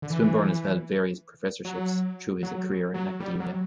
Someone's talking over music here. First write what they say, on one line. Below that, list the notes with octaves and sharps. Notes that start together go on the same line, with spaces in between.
Swinburne has held various professorships through his career in academia.
D3
E3
F#3
F#3
F#3
G3
F#3